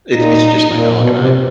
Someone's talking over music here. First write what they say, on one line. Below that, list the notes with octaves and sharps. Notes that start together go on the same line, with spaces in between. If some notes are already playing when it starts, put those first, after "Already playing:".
it's it's just my dog and I;
A#2 D#4
A#2
B2
C3